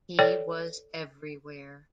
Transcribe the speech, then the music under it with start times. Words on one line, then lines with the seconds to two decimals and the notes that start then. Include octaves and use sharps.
He was everywhere!
0.19 A4 C#5 D5 G5